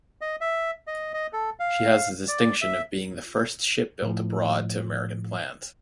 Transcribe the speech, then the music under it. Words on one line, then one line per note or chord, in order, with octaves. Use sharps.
She has the distinction of being the first ship built abroad to American plans.
D#5
E5
D#5
D#5
A4
F5
D5
E5
A2 F3